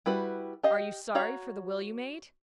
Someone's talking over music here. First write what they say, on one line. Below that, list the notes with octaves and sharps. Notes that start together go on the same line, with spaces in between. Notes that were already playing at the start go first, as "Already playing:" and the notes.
"Are you sorry for the will you made?"
G3 E4 F#4 B4
G4 D#5 F5
F#4 C#5 F5 A#5